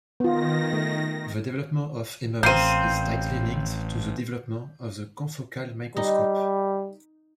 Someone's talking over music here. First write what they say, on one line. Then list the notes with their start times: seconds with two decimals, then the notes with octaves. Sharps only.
The development of Imaris is tightly linked to the development of the confocal microscope.
0.20 D#3 B3 F4 A#6
0.73 A3
2.43 A1 A#3 C4 G6 C7 D#7
5.97 G3 D#4